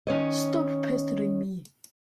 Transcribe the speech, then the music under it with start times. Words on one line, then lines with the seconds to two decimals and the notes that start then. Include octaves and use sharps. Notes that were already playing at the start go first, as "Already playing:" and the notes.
Stop pestering me!
0.07 D#3 C#4 C#5 D#5